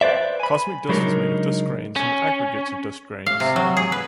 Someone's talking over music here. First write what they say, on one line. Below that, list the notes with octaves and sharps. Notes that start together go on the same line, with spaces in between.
Cosmic dust is made of dust grains and aggregates of dust grains.
B4 C5 D5 E5
G#5 B5
C#3 F#3 G#3 D4 D#4 A#4
C#4
F5
C3
F#3
G#4
B4